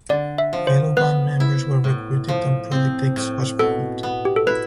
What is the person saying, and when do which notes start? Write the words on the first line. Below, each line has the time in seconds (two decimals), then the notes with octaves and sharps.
Fellow band members were recruited and Project X was formed.
0.09 D3 D5
0.38 E5
0.53 F3
0.67 C5
0.97 B3 B4
1.40 E4
1.84 A2
2.28 F3
2.71 C4
3.16 A2
3.59 B2 A4
4.03 B3
4.25 G4
4.36 A4
4.47 E4 B4